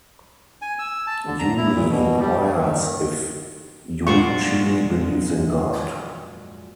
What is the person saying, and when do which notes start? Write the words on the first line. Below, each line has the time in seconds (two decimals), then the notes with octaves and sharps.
Yumi inquires if Yuichi believes in God.
0.62 G#5
0.79 E6
1.07 A5
1.26 D3
1.39 A#5
1.58 E4
1.75 A#2
1.90 B2
2.20 G3
2.44 A3
2.57 D#3
4.07 F2 A#2 F#3 G#3 F4 C5 D5 C#6